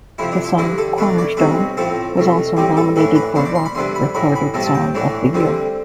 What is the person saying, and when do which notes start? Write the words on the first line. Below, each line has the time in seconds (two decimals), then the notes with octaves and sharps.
The song "Cornerstone" was also nominated for Rock Recorded Song of the Year.
0.18 F2 C3 F3 E4
0.32 D4
0.45 E4
0.58 G2 D3 G3 E4
0.78 A4
0.98 B2 A3 D4 B4
1.18 D5
1.37 B1 B2 G3 C4 B4
1.77 A2 F3 C4 A4
2.17 C2 B2 A3
2.57 A2 G3 C4 G4
2.77 A4
2.96 A2 E3 A3 D4 B4
3.15 B4
3.35 B2 B3 D4 C5
3.45 D5
3.55 C6
3.65 B5
3.75 D2 C3 G3 B3 D4 C6
3.95 B5
4.14 A1 A2 E3 B5
4.35 B5
4.54 B1 A2 G3 C4 A5
4.66 A5
4.75 G5
4.95 A2 E3 A3 D4
5.33 D2 D3 G3 C4